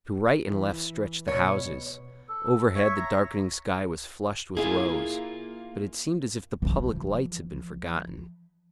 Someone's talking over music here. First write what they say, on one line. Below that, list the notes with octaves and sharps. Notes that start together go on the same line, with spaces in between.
To right and left stretched the houses, overhead the darkening sky was flushed with rose; but it seemed as if the public lights had been forgotten.
E3
B2 C#5
A4
C#5 E5 C#6
A#5
A#3 E4 F4 G#4
E3 F3